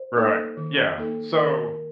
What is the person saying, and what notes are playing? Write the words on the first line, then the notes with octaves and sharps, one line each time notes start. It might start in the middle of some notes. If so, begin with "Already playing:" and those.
Right. Yeah. So,
Already playing: C5
A#3 D#4 A4
D#3
A#3 D#4 A4
D#3 A#4